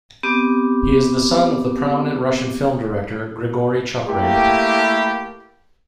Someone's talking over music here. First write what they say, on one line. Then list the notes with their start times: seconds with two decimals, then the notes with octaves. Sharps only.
He is the son of the prominent Russian film director Grigory Chukhray.
0.23 B3 C4 G4 D6
4.08 A3 A#3 E4 G4